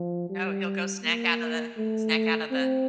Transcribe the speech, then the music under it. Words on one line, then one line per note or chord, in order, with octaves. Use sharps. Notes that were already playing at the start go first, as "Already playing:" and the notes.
Oh, he'll go snack out of the snack out of the
Already playing: F3
G3
A#3
A3
C4